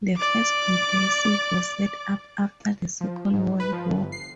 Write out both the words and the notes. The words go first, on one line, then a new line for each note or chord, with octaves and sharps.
The first comprehensives were set up after the Second World War.
D5 D6
F3
G#2
B4
F3
G1
C7